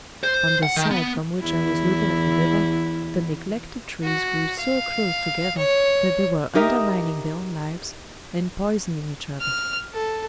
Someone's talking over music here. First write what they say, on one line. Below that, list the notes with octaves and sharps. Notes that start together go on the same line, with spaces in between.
On the side from which I was looking at the river, the neglected trees grew so close together that they were undermining their own lives, and poisoning each other.
C5
F#5
D#3
B3
E2 E4
F#4
F5
C#5
D#4 G4 A#4 D#5 E5
F6
A4